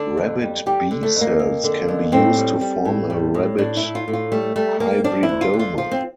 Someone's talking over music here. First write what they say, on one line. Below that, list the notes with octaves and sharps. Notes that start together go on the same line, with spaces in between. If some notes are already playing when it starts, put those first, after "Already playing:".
Rabbit B-cells can be used to form a rabbit hybridoma.
Already playing: D3 D4
F2
G3
G3 G4
D3
A3
F2
A#3
F2
D3
F2
A2 C4
G3
G3
A2
G3
A2
A2 D4
E4
A2
F4
A2
F4
G3 A3
G3 A3
G3 A#3
F3 D4
E4
D2
F4
D3
F4
F3 F4
C4